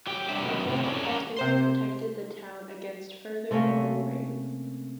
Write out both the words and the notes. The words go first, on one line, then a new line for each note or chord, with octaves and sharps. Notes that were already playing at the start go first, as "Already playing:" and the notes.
The fort effectively protected the town against further Moro raids.
F#3 G4 G5
F#3 G3 D4 E5
F#2 B2 D#3
A2 C3
C#4 E4 G#4 A4 D5
C#4 G4 A4 A#4 F#5 A#5
C3 C5 C6
C3 A3 A#3 C#4